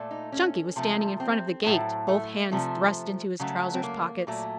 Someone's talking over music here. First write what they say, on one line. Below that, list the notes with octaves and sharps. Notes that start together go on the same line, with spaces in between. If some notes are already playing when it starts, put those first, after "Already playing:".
Chunky was standing in front of the gate, both hands thrust into his trousers pockets.
Already playing: A#2 A3
D#4
C#4
C3 F3 A3
C4
A2 F#3 A3
A3
C3 F3 A3
C#3 F#3 A3
C4
A#3
A#2 F#3 A3